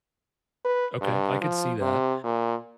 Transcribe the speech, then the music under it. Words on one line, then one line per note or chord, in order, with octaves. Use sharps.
Okay, I could see that.
B4
G2
F3
C3
A#2